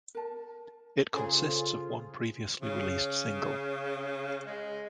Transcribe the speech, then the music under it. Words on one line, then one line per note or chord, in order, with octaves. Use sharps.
It consists of one previously released single.
A#4 A5
C#3 F4 G#4 A4 C5
C#3
G#3